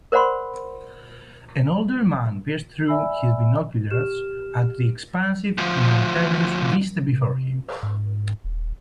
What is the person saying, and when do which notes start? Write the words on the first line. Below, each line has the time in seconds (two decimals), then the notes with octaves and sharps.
An older man peers through his binoculars at the expansive, mountainous vista before him.
0.12 A#4 C5 D5 F#5 B5 C6
2.87 D5 E5 G#5 B5 E6
3.91 G4 F6 E7
5.58 D2 F3
7.09 C3
7.83 G#2
8.44 D#1